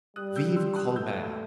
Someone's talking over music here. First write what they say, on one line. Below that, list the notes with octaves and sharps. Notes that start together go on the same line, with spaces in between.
Vive Colbert!
G3 D#6 F#6
E6 G6
C6 E6
D#6 F#6
A3 E6 G6